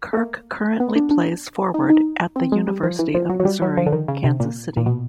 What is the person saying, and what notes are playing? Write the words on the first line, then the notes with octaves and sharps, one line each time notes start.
Kirk currently plays forward at the University of Missouri-Kansas City.
A3
A#3
B3
D4
D4
D#4
D#4
C4
G#3
G3
F3
E3
F3
F#3
F#3
G3
F#3
F3
D3
D#3
C#3
C3
A#2
A#2
B2